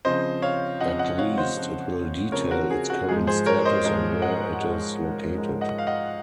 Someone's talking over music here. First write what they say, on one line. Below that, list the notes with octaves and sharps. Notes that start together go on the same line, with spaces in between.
At least it will detail its current status and where it is located.
C#3 F3 C4 C5 D#5
C#5 F5
C#3 F3 C4 D#5 F#5
D#5 F#5
C#5 F5
C5 D#5
C#3 F3 C4
C#3 F3 C4 A#4 C#5
F#4 A#4
G#4
F#4
G#2 F3 G#3 G#4
G#4 C5
A#4 C#5
C5 D#5
G#2 F3 G#3 C5 D#5
D#5 F#5
G#2 F3 G#3
G#2 F3 G#3
D#5 F#5
F5
D#5 F#5